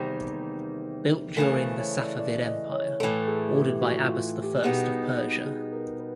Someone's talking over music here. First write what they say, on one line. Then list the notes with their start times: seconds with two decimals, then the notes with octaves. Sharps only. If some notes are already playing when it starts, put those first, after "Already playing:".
Built during the Safavid Empire, ordered by Abbas the First of Persia.
Already playing: E2 C3 D#3 G3 A#3 C5
1.37 C#3 E3 A3 A#4
1.57 C5
1.78 C#5
1.98 D5
2.19 D5
2.46 D#5
2.73 C#5
3.00 A2 E3 A3 A4
3.28 G#4
3.55 G4
3.82 F#4
4.02 F4
4.43 G4
4.63 B2 G3 B3 D#4 G#4
5.46 G#4
5.73 A#4
6.00 B4